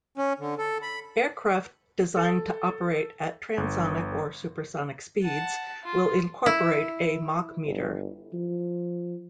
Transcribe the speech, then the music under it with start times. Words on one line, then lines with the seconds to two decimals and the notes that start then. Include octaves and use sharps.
Aircraft designed to operate at transonic or supersonic speeds will incorporate a machmeter.
0.17 C#4
0.39 D3
0.58 A4
0.82 B5
2.17 A4
3.58 G1
5.22 F#5 A5
5.84 F4
6.46 E4
7.66 G1
8.34 F3